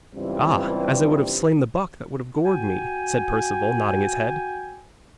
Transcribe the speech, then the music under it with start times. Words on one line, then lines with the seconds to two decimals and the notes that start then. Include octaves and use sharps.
'Ah, as I would have slain the buck that would have gored me,' said Perceval, nodding his head.
0.15 C#2 G2 E3 G3 C4
2.45 F#4 G5 G#5